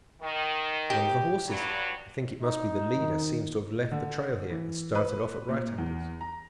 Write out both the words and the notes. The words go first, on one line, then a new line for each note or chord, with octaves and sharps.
"One of the horses, I think it must be the leader, seems to have left the trail here and started off at right angles."
D#3
G4
G2 F#3
D#4
D#3
D3
E3
B4
A#2
E2
A#5